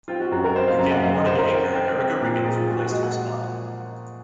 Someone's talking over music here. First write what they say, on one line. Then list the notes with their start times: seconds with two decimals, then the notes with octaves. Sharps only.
Weekend morning anchor Erica Riggins replaced her spot.
0.08 C4 F4
0.20 F#4
0.31 F#2 F#4
0.44 A#4
0.56 C4 C5
0.68 F5
0.79 F#2 F5
0.91 F#5
1.03 F#2 F5
1.14 D#5
1.26 F#2 C5
1.38 A#4
1.49 C4
1.74 C4
1.98 C4
2.21 A#2
2.44 A#2 G#4
2.56 F4
2.67 A#2 F#4
2.80 F#4
2.91 G#3 G#4
3.03 F#5